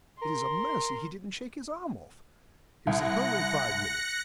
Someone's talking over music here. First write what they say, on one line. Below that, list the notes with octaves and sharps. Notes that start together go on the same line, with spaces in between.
It is a mercy he didn't shake his arm off. He was at home in five minutes.
A#4 C6
C2 F#6 A#6 C#7